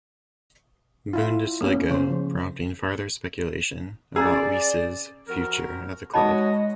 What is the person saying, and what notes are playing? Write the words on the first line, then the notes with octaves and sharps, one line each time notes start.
Bundesliga, prompting further speculation about Wiese's future at the club.
E4 F4
A#3 B3 C#4
C#3 C5
F3
C#4 G#4 D5 A#5 E6
F2 F#4 A#4
G#3 D#4 F#4 C#5 D#5 A5 B5